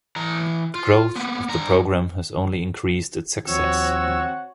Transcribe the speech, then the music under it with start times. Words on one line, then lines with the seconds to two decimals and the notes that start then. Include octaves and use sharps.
The growth of the program has only increased its success.
0.16 E3 A#5
0.75 F4
1.15 A#3 B3
1.49 G2 A#5
3.47 D#2 F3 C4 F#4 C#5 F#5 E6